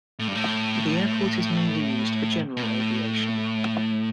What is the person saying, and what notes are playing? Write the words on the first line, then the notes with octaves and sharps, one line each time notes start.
The airport is mainly used for general aviation.
A2
G2
A2
B2
A2